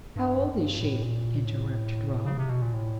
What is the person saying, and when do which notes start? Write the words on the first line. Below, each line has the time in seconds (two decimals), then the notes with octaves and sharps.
"How old is she?" interrupted Rob.
0.16 G2
0.38 F#2
0.58 G2
0.80 A2
1.02 A#2
1.45 A2
2.25 C#3
2.37 C3
2.49 B2
2.62 A#2
2.74 A2